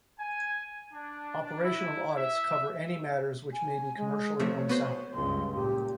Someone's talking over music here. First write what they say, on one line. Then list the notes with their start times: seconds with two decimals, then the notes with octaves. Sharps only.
Operational audits cover any matters which may be commercially unsound.
0.19 G#5
0.92 D4
1.63 E4
2.15 E5
3.53 G#5
3.97 G#3
4.40 C3 F3 A3 C#5
4.69 B3 F#4 C5
5.14 C#2 G2 C6
5.55 A#2 G4